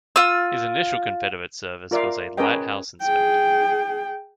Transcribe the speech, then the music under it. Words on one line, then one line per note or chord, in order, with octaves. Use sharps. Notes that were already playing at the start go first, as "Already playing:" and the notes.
His initial Confederate service was as a lighthouse inspector.
F4 E6
F4 A#4 D5 E5 F5
C#4 G#4 A#4 B4 D#5 G5
G#4 G5